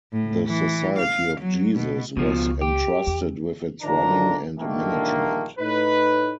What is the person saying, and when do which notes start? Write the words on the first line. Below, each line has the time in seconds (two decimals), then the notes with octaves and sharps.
The Society of Jesus was entrusted with its running and management.
0.12 A2
0.47 E3
0.98 F5
1.40 F#3
1.75 B2
2.17 C#2 B2 F3
2.61 G4
3.07 E2
3.83 A1 D3 D#3 F3 D4 A#5
4.59 A#1 G2 D3 D#3 A3 A#3
5.59 A2 D#4 B4